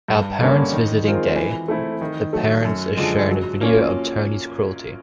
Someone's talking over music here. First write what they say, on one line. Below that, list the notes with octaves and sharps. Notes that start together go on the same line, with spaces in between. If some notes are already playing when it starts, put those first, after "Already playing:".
On parents' visiting day, the parents are shown a video of Tony's cruelty.
G2
D3 G3 A#3 C#4
D#3
G#3 C4 F4 A#4
E3
A3 C4 E4 A4
D#3
F#3 A3
F#2
D3 F3 G#3
F#3
A#3 C#4 F4